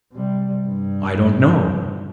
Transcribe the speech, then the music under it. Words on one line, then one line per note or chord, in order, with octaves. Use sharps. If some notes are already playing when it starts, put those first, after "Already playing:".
"I don't know."
C3 G3
G2